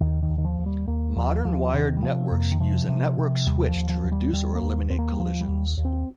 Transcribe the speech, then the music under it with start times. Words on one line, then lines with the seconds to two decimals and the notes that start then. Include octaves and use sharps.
Modern wired networks use a network switch to reduce or eliminate collisions.
0.01 D#2 D#3
0.23 D#3
0.30 D#2
0.38 D#3
0.45 F3
0.59 D#2
0.66 G3
0.87 D#2 A#3
1.16 D#2 F3
1.45 D#2 F3
1.74 C3 D#3
1.97 G3
2.02 C3 F3
2.31 F2 A#3
2.52 D#3
2.60 C3 F3
2.89 C3
3.18 C3
3.46 D#2 G3
3.68 F3
3.75 D#2
3.89 F3
4.04 D#2
4.12 G3
4.33 D#2 G3
4.55 A#3
4.62 D#2
4.90 D#2 C4
4.99 A#3
5.12 G3
5.19 D#2 F3
5.41 G3
5.48 D#2
5.77 D#2
5.85 C4